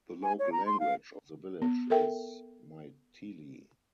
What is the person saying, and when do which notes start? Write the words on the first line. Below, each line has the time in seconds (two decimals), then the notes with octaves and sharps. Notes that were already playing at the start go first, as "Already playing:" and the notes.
The local language of the village is Maithili.
0.23 G#5
0.39 C#5
0.52 A#5
0.66 C6
0.80 F5
1.62 B3
1.90 A4 A#4 E5 G5